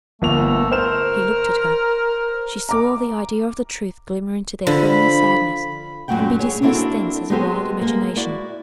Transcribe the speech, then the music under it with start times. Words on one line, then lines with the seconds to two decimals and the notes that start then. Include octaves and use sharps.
He looked at her; she saw the idea of the truth glimmer into their filmy sadness, and be dismissed thence as a wild imagination.
0.22 G1 A3 A#3 F7
0.72 A#4 C5 E7
2.69 A#5 D6
4.67 D3 F3 B5
6.08 F#2 A#2 F#3 A3 F#5 G5
6.39 G3 G#4 C#5
6.62 A#3 C4 D4 E4 F#4 A4
7.30 G#3 B3 F#4 G4 A4 C5
7.82 G#3 A#3
8.16 E4 F#4 D5